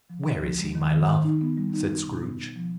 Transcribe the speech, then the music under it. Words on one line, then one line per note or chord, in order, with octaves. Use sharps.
"Where is he, my love?" said Scrooge.
F3
D3
F3
G#3
D#3
D#3
D#3
D#4
B3
G3
D#4
D#4
B2
B3
D#4
F3